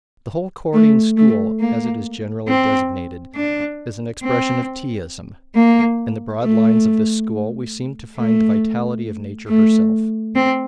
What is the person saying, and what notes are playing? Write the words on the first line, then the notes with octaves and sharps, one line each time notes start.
The whole Korin school, as it is generally designated, is an expression of Teaism. In the broad lines of this school we seem to find the vitality of nature herself.
A3
A3
A#3
C4
D4
C4
A#3
A3
A3
A3
C4